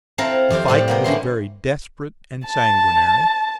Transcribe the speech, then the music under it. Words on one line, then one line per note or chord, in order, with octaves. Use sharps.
The fight was very desperate and sanguinary.
C4 E4 A4 F5 A#5
F2 C4 G4 C5
A2 G3 C4
A#3 B3 G5
D3 C#4 E4 C6
A5